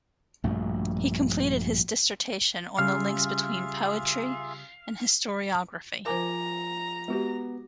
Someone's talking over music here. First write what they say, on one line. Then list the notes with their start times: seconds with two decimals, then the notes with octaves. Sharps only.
He completed his dissertation on the links between poetry and historiography.
0.44 A#1 G2 B2 A3
2.78 C#3 G3 F4 G#4 E5 F5
6.06 F3 A#4 C5 G#5 A#5 D6
7.08 G#3 B3 F#4 G4